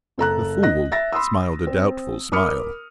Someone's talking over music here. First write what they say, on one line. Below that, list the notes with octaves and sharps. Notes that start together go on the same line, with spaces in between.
The Fool smiled a doubtful smile.
F#1 A4 A#5 F#6
D#5 F#6 A#6
E5 A6 A#6
B5 C6 D#6 E6
C4
A#4 B5 D6 D#6 F6 C#7